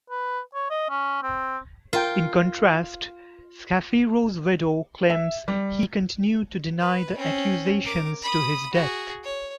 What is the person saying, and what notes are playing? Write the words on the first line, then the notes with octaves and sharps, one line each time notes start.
In contrast, Schapiro's widow claims he continued to deny the accusations to his death.
B4
C#5
D#5
C#4
C4
F4 A#4 G5
E5
G3
B4
C4 C#4
A#4 D6
B5 D#6
F#4 G#4
C#5